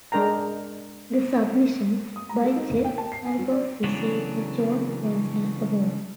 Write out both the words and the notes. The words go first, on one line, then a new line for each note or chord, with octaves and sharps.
"The Submission" by Jeff Talbot received the John Gassner Award.
G#3 D4 A#4 G5 A#5
D#6
A#5
A4
D#4
E1
G5
A5
C7
G#5
F#3
D5
C#3 E3 F#3 B3 D4